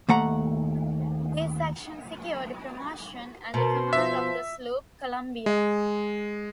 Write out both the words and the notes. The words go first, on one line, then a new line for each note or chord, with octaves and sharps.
This action secured promotion and the command of the sloop "Columbia".
D#2 A3 F#5 A#5
B2 A#4 C5
F3 E5
G#3